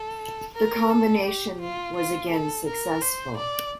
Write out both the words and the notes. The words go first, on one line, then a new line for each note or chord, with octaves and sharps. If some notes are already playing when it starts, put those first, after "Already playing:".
The combination was again successful.
Already playing: A4
A#4
A4
G4
F4
F4
A4
A#4
C5
D5